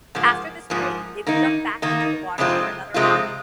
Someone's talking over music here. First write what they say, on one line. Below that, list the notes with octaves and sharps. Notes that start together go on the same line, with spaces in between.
After this break, they would jump back into the water for another hour.
G#2 F3 A#3
G#2 F3 A#3
D#3 A#3 D#4
D#3 A#3 D#4
F2 C3 G#3 C4 F4
F2 C3 G#3 C4 F4